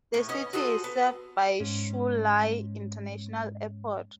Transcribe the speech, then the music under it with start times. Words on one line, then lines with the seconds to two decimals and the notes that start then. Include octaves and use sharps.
The city is served by Chu Lai International Airport.
0.14 A2
0.29 B3 C#4 D#5
0.53 F#4 G#4 A4 C5
0.84 B3
1.60 G#2 C#4